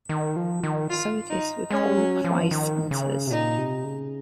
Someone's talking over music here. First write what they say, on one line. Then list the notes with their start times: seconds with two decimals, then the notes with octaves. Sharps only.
So it is with all Christ's answers.
0.09 D#3
0.36 F3
0.63 D#3
0.90 F4
1.30 D#4
1.70 G#3 C#4
1.97 F#3
2.24 F3
2.51 D#3
2.91 C#3
3.27 C3
3.31 A#2 D#4
3.58 C3
3.85 C#3